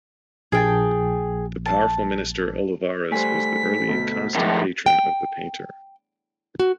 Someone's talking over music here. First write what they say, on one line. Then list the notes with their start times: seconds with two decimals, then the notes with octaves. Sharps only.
The powerful minister Olivares was the early and constant patron of the painter.
0.52 A#1 G#4 G5 A5
1.66 A5
3.11 G3 A3 C5 G#5 B6
3.88 D2 B2
4.35 D#2 A2 F3 G#3 E5 F#5
4.86 G5
6.60 F#4